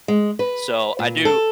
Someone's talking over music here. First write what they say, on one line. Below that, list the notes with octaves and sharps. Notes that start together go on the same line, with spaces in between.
So, I do
G#3
B4
A#2
A4